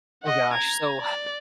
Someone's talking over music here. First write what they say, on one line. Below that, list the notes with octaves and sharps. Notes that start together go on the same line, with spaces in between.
Oh gosh, so,
D#5 F#5
A#5 G#6
D5